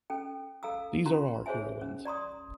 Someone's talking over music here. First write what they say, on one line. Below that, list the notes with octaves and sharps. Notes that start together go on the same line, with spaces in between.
These are our heroines.
C#4 A4 G5
A4 F5 A#5 E6
C#4 F4 A#5 C6
G#4 C5 C#5 E5 G#5
C#4
D5 A#5 C6 D#6